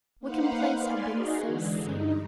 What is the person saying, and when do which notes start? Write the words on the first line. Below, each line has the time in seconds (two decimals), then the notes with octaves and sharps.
Wickham Place had been so safe.
0.20 A#3 D#4 B4 C5 F5 F#5
0.79 D5 F5 G#5 B5 C6
1.10 D#4 F#4 G#4
1.46 D3 E3 G#3
1.84 G2 D#4